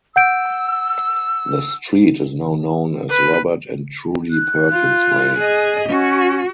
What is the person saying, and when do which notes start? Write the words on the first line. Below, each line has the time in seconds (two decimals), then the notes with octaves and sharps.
The street is now known as Robert and Trudie Perkins Way.
0.16 F#5 E6 G6 D7
3.10 B4
4.31 F#6
4.71 F4
5.39 G#4 D#5
5.89 C#4 F#4